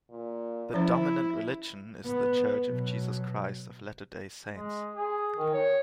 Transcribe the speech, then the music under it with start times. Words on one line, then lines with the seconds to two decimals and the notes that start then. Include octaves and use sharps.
The dominant religion is The Church of Jesus Christ of Latter Day Saints.
0.10 A#2
0.74 F3 C#4 E4 C5
2.06 B3
2.66 B2 F#3
4.50 G#3
4.96 G#4
5.37 D#3
5.54 C#5